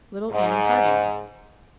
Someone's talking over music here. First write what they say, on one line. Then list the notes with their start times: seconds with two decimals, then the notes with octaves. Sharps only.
"Little Annie Harding."
0.31 G#2